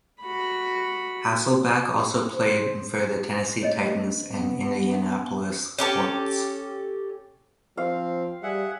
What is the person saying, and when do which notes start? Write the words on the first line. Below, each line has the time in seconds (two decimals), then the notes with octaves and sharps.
Hasselbeck also played for the Tennessee Titans and Indianapolis Colts.
0.22 F#4 B5
2.35 C5
3.63 A3 C#5 D#5
4.33 B3
5.78 C#4 G4 A4
7.77 F3 C4 F5
8.43 G3 G#4 E5 F#5